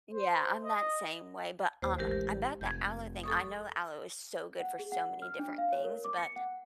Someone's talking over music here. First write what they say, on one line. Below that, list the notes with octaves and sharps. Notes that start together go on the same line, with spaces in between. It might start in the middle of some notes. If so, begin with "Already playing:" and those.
Yeah, I'm that same way, but, um, about the aloe thing, I know aloe is so good for so many different things, but
C5
D#5
D#2 C5
A1 G#3 G4 A#4
F1 G6 G#6
A4 C#6 D#6
F#5
G#4
F#5
F6
D4
F5
C#5
A#4
D6
C#7
F#5